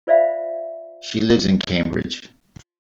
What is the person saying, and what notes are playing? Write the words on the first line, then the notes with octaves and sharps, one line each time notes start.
She lives in Cambridge.
F4 C5 D5 E5 F5 B5